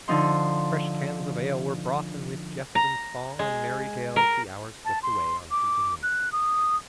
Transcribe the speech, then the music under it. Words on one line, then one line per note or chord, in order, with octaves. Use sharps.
Fresh cans of ale were brought, and with jest and song and merry tales the hours slipped away on fleeting wings.
D3 F3 D#4 C6
A#5
G#3
A#4
A5
C6
D6
F#6
D#6